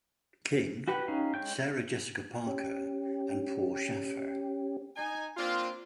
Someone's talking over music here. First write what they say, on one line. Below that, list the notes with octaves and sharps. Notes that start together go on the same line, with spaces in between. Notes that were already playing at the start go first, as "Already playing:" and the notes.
King, Sarah Jessica Parker, and Paul Shaffer.
F#4 G4 B4 F#5
C#4 D#4 G4 F5
G#3 C#5 G5 G6
C#4 G4
D#4 G#5
A#3 C4 D4 F4